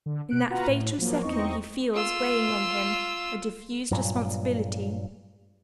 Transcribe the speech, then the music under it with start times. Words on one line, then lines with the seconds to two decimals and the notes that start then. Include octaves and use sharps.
In that fatal second he feels weighing on him a diffused responsibility.
0.06 D3
0.30 B2 F#6 D7
0.50 F4 F#4 B4 F#5 A#5
0.68 A2
0.98 F3 F#3 A#3
1.23 E2 C4 D#4 D#5 C#6
1.95 F4 E6
3.91 G2 A#2 F#3